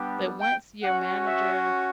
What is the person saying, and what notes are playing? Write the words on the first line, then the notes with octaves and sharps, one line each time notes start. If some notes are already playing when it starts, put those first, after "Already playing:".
but once your manager
Already playing: G3 B3 D4 G4
G5
C#4 F#4 F#5
E5